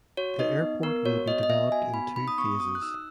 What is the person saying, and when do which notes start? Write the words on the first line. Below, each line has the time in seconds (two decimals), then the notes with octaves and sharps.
The airport will be developed in two phases.
0.17 F#4 C#5
0.39 D#4 D#5
0.62 B3
0.83 B3 A#4
1.05 F#4 C#5
1.28 B3 D#5
1.43 D#5
1.50 B3 E5
1.72 F#4 G#5
1.94 B3 B5
2.16 D#4 B5
2.28 D#6
2.38 B3 C#6
2.60 F#4 D#6
2.75 F#6
2.82 D#4 E6